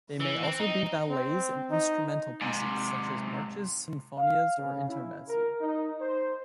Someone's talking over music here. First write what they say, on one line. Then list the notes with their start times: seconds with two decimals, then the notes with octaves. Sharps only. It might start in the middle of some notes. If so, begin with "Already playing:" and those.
They may also be ballets and instrumental pieces, such as marches, sinfonias, or intermezzi.
0.20 E3
0.43 C4
0.60 D#4
1.10 C4
1.71 D#4
2.42 G#2 C3
4.19 F5
4.58 C#3
4.89 E4
5.28 A#4
5.61 D#4
6.01 C5